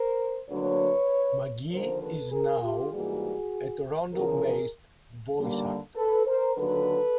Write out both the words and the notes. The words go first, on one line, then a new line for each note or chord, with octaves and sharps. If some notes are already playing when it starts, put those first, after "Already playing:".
Magee is now a Toronto-based voice actor.
Already playing: A#4 C5
D2 D3 F#3 A#3 B4 C#5
D#2 D3 F3 A#3 A#4 C5
A4 B4
G#4 A#4
F4 G4
G#2 E3 G3 A#3 F#4 G#4
E2 C#3 F3 G#4 A#4
D#2 D3 G3 A#3
A4 B4
A#4 C5
D#2 D3 F#3 A4 B4